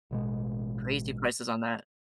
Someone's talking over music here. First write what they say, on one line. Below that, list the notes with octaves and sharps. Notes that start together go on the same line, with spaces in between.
Crazy prices on that.
A1 B2 G#3